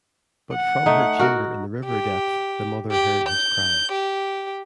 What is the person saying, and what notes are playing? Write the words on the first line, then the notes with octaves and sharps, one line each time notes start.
But from her chamber in the river depth the mother heard his cry.
F#5
A3 D#4
F#4 A#4
G4
G4
G6
G4